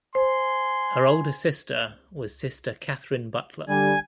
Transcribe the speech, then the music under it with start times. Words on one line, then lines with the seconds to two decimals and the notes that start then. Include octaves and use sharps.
Her older sister was Sister Katherine Butler.
0.15 C5 G#5 C6
3.69 D3 G3 G#5